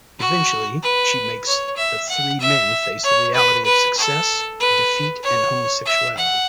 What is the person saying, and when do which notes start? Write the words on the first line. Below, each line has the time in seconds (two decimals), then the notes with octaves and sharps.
Eventually, she makes the three men face the reality of success, defeat and homosexuality.
0.20 F#4
0.83 B4
1.47 C#5
1.77 E5
2.09 F#5
2.41 E5
3.04 C#5
3.35 B4
3.66 B4
3.98 A4
4.60 B4
5.23 C#5
5.86 E5
6.18 F#5